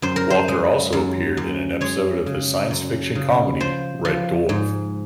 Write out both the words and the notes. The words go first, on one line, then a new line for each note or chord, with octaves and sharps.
Walker also appeared in an episode of the science fiction comedy "Red Dwarf".
F#2 C5
A#4
C5
G#3
F#2
F#2
G#3 C#5
C#3
F#2
C#3
F3 C5
F3
G#2